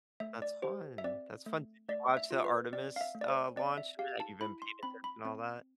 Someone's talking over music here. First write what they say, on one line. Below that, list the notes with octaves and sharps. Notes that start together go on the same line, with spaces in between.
That's fun, that's fun. Did you watch the Artemis, uh, launch and that you've been paying attention, all that?
A3 E5
D5
G4 C5
E5
C4 D5
A3
A3 D5
E5
F4
B4
C4 D5
F5
E5
A3
D5
C5
C4 D5
E5
G4 F5
A5
E4 B5
C6
C4 B5
B5
C4